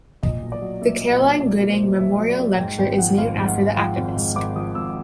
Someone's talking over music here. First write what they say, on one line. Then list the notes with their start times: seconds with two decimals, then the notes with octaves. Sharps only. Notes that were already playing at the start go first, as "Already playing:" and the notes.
The Caroline Gooding Memorial Lecture is named after the activist.
0.23 A#2 D#5
0.43 B1
0.52 D5
0.62 F#3
0.82 A#3 E5
1.02 A#2
1.11 D#5
1.21 B1
1.41 F#3 D5
1.60 A#3
1.70 C5
1.81 A#2
2.00 B1 E5
2.19 F#3
2.29 D5
2.39 A#3
2.58 G#2 G5
2.78 G#1 G5
2.93 G5
2.98 F3 F#5
3.18 G#1 F5
3.37 G#2
3.47 F#5
3.57 G#1
3.77 F3 G5
3.97 G#1
4.16 G#2
4.35 G#1 D6
4.56 F3 D#6
4.75 G#1 E6